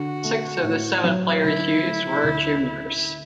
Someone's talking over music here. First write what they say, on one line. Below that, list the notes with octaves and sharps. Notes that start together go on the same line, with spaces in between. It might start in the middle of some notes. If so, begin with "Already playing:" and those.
Six of the seven players used were juniors.
Already playing: D3 F#4
A3
A2
F#3
D3 E4
A3
D2